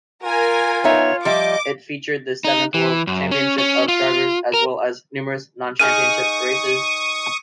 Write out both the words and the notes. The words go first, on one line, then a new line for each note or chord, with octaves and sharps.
It featured the seventh World Championship of Drivers as well as numerous non-championship races.
F4 A#4 G#5
B3 D#4 C#5 E5
F3 G3 D#5 E5 D6
D#4
E3
F#2
C#4
C#4
F4
A#4
D#4 G#4 F5 C#6 D#6 D#7